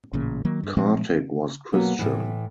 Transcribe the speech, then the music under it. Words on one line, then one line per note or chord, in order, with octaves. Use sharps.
Kartik was Christian.
A1 A#2 C#3
D#3 F#3 A#3
G2
A#2 F3 G#3 C4
B2 F#3 A#3 B3
A2 E3